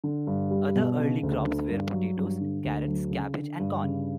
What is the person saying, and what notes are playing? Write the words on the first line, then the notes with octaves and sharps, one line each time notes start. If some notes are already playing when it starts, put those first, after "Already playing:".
Other early crops were potatoes, carrots, cabbage, and corn.
D3
G2
G3
B2
C#3
D2
D3
G2
F#3
G2
D3
D2
F#3
C#3
D3
G2
C#3